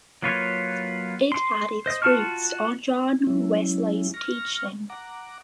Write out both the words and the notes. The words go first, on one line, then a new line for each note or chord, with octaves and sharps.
It had its roots on John Wesley's teaching.
F#3 A#3 F4 B4 C#5
C6
C5 D#5
F4 F#4 A5 C#6 F6
F#3 G#3 C#4 E4
C#6 F6 A#6
F#5 A#5 D6